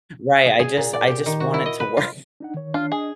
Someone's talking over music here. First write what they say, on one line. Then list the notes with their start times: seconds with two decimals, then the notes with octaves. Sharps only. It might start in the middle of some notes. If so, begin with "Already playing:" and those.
Right, I just I just want it to work,
0.46 G#4
0.59 G#4
0.77 A#2
0.93 D5
1.07 G4
1.26 D#3
1.40 F#4
1.54 E4
1.66 D#5
1.80 B4
1.97 F4
2.40 D4 D#4 F#5
2.54 D#3 C#5
2.74 D4 F4
2.92 G#4 D#5